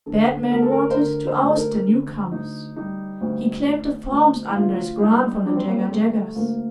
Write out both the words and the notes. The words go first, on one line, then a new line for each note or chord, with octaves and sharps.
Batman wanted to oust the newcomers; he claimed the farms under his grant from the Jagga-Jaggas.
D3 A4
D2 A#4
A4
A#4
C5
D3 A#4
C5
D2
A4
A#4
D3
D2 D#4
G3 D#4
D2
D2
D2
D#4
D2 F4
G3 D#4
G3 D4
C4
A#3
C4
D2 A3
D2 A#3